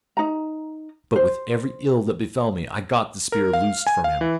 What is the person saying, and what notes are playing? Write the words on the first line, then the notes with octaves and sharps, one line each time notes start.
But with every ill that befell me I got the spear loosed from him.
D#4 A#5
C5
A#4
F5
G#5
F5
E3